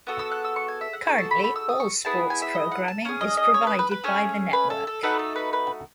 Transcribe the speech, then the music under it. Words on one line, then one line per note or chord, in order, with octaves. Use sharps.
Currently, all sports programming is provided by the network.
B3 F#4 A4
E6
F#6
E6
C#6
G#5
E5
F#5
D#4 F#4 A4 G#5
A5
B5
B5
E6
D#6
C#6
B3 E4 G#4 A5
G#5
E5
D#5
F#5
A5
C#4 G#4
D#5
D#5
C#5
B4
B4
B4
A3 C#4 G#4 C#5
B4
A4
A4
A3 D#4 F#4 A4 B4
A4
B4
B4